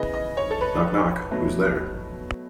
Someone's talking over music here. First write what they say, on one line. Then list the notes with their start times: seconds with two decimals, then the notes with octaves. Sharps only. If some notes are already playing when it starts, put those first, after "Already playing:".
Knock knock! Who's there?
Already playing: C#3 E3 B3 D#5
0.14 D#5
0.37 C#5
0.51 A4
0.61 B4
1.31 B2 F#3 A3